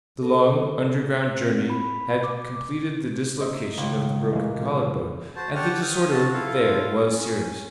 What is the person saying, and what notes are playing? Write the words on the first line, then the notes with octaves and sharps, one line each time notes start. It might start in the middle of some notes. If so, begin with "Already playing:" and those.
The long, underground journey had completed the dislocation of the broken collar-bone, and the disorder there was serious.
A4
C4
B5
D6
D#4 C5 D#5 E5
C#2 D#3 G#3
A#2 C#3 E3 G#3 A#3
F#4 C5 A5
G4 C#5 F#5 G5 A5 F6
G5 D#6 F6
F#4 A5
E4 F4 A4 F5
C#4